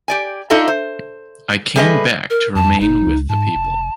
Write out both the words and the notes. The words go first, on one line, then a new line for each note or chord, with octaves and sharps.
I came back to remain with the people.
G4 D5 G#5
D4 D#4 F4 A4 D#5 E5
C5
G3 A3 G#4 B4 D5 D#5
A#4
F2 A5
G1 D#4
C#2
G#2 A5
F1